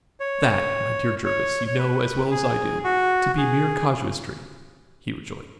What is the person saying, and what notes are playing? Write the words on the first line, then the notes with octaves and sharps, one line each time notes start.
"That, my dear Jervis, you know, as well as I do, to be mere casuistry," he rejoined.
C#5
C#5
C#5
B4
G#4
F#4
G#4